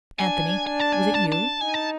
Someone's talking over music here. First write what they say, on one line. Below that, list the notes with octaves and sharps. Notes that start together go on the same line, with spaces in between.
"Anthony, was it you?"
D4 G#5
D4 G#5
A5
G#5
A5
A5
D#4 G#5
A5